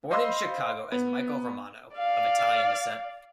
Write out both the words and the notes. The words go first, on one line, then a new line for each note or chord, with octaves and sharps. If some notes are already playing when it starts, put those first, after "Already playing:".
Born in Chicago as Michael Romano, of Italian descent.
C5 D#5 F5 B5 C6 E6
B3
D5 F5